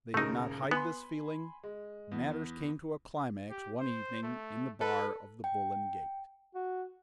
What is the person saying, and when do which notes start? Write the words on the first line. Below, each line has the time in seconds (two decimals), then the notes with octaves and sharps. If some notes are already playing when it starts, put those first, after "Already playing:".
They did not hide this feeling. Matters came to a climax one evening in the bar of the "Bull and Gate."
0.14 D#1 C#3 A3 D#4 A#4
0.71 B3 G#5 B5 C6
1.64 G#3
2.12 E2
3.51 G4
3.80 C5
4.23 A3
4.81 A4 B4
5.44 G5
6.55 F#4